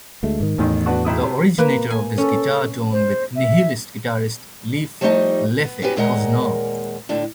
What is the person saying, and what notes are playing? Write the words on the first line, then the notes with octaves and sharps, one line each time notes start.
The originator of this guitar tone was Nihilist guitarist Leif "Leffe" Cuzner.
D2 G#3 A3
G#2 D#3
A1 E2 A2 D#3
B3 D4 F#4
B1 E4 D#6
C3
A#3 B4
G#5
C#4 A4
C5
E5
F3 G3 A3 C#4 D#4 D#5
B3
B3 C#4 F#4 G4 B4
D#2 A#2 G#3 A#4 D#5 F#5
A2 D3 D4